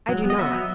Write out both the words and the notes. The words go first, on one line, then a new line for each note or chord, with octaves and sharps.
"I do not."
F#3
B3
D#5
B3 E5
F#3